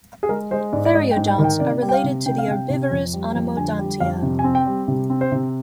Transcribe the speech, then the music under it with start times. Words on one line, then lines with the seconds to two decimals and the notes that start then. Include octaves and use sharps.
Theriodonts are related to the herbivorous Anomodontia.
0.23 G#4
0.29 G#3 A#4
0.51 G#3 C5
0.73 G#2 D5
0.85 D5
0.95 G#3 D#5
1.11 G5
1.16 G#2
1.28 G5
1.38 D#3
1.44 G5
1.60 C3 D5
1.82 G3
1.89 G5
1.93 F5
2.04 C3
2.26 C3 G5
2.38 F5
2.48 C3 G5
2.70 C3
2.91 F2
3.13 G3
3.35 F2
3.57 D3 G#5
3.79 G3
4.00 F2 F5
4.22 C3
4.39 G#5
4.44 C4
4.55 G5
4.66 G3
4.88 C3
5.10 C4
5.21 C5
5.32 C3